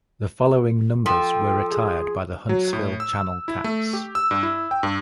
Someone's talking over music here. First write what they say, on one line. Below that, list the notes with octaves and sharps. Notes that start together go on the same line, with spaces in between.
The following numbers were retired by the Huntsville Channel Cats.
F3 A4 G5
G#4
F#3
A2
E6
E4
A3
G4
E6
G2
E4
G5
G2